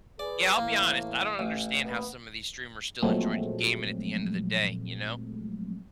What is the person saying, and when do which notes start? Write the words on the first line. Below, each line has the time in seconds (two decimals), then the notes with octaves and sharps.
Yeah, I'll be honest, I don't understand how some of these streamers still enjoy j gaming at the end of the day, you know?
0.19 G#4 B4 D5
0.58 A2 E3 A#3
1.39 A1
1.83 A#3 B3
3.02 A#2 F3 F#3 G#3 A3 C4